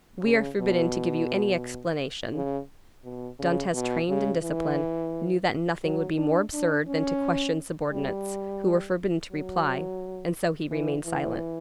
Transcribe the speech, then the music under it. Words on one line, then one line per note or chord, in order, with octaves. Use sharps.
"We are forbidden to give you any explanation." Dantes, trained in discipline, knew that nothing would be more absurd than to question subordinates, who were forbidden to reply; and so he remained silent.
C#3
B2
C#3
B2
C#3
B2
C#3
E3
F#3
D4
D4
C#4
G3
F#3
E3
E3